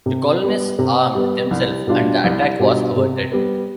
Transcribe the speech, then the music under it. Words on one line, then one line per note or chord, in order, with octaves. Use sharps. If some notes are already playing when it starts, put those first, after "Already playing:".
The colonists armed themselves, and the attack was averted.
C3
G3 B3
C3
G3 B3
C2
B2 G3 D4 F4
C2
B2 G3 D4 F4
C3
G3 B3